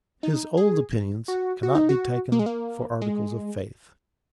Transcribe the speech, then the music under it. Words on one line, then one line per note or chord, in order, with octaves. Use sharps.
His old opinions cannot be taken for articles of faith.
D#4
G#4
F#4
F#4
D#4
F#4
A#3
G#3
A#3
G#3